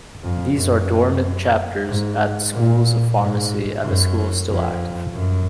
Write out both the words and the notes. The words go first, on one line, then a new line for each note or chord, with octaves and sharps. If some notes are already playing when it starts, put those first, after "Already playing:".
These are dormant chapters at schools of pharmacy, and the school is still active.
F2
F#2
G#2
A#2
G#2
F#2
F2
F#2